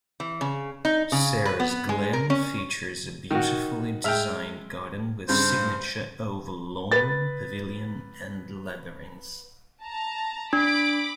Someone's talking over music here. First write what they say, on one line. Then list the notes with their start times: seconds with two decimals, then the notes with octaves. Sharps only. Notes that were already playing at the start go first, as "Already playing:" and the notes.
Sarah's Glen features a beautifully designed garden with signature oval lawn, pavilion and labyrinth.
0.20 E3
0.41 C#3
0.85 D#4
1.12 C#3
1.45 B4
1.60 B3
1.89 G#3
2.13 A#4
2.30 C#4
3.31 D#3 F#4
4.04 G#3 E5 G5 F6 F7
5.29 G2 C#3 C5
6.91 B4 A6
9.81 A5 A#5
10.53 D4 B5 D6 D7